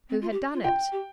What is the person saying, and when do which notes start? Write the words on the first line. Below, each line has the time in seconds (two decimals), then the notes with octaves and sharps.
Who had done it?
0.10 C4
0.22 F4
0.32 G4
0.54 F4
0.64 F4 G5
0.92 G4